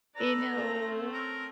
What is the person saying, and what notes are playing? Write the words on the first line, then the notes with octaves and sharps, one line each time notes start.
You know?
A4 B4 D5 A#5
A3 C4 C#4
A#4